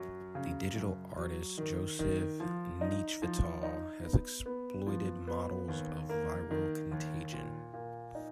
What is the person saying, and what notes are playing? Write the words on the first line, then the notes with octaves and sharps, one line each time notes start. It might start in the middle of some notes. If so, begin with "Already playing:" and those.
The digital artist Joseph Nechvatal has exploited models of viral contagion.
Already playing: F#2 F#3
C#3
F#2
F#3
D#3
D#3
F3
D#4
F3
D#4
B3
B3
F3
B3
D#2
A#3
D#3
D#2
A#2
A#2
D#4